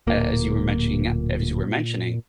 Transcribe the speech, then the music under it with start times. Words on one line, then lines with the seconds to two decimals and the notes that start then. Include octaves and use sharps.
a as you were mentioning, uh, a as you were mentioning,
0.07 D1 A#2 A#3